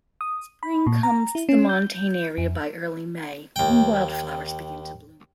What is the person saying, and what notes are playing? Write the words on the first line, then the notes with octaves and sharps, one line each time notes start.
Spring comes to the montane area by early May, when wildflowers begin to bloom.
D#6
B5
A#2
A#5
E4
C#4
G6
F2
D#2 G5